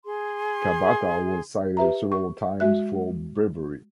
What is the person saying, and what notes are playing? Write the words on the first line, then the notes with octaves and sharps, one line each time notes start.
Kabata was cited several times for bravery.
G#4 C6
G4 B4 E5 A#5
C#6
G#3 F#4 E5 F#6